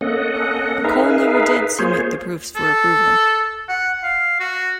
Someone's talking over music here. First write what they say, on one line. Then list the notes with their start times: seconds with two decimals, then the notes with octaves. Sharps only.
Cole never did submit the proofs for approval.
0.01 A#3 C#4 A4 D#5 F#5
0.84 D#4 G#4 A#4 B4 E5 F5
1.79 A#3 F4 G#4 C5 C#5
2.56 A4
3.69 F#5
4.03 F5
4.40 F#4